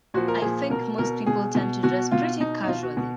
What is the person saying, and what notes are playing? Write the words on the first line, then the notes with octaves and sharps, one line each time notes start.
I think most people tend to dress pretty casually.
A#2 F3 F#4
A#4
A#2 F3 G#4
B2 A#4
B2 A#4
B2 G#4
B2
B2 F#4
B2 F4
B2 D#4
D#4
B2 F4
F#4
B2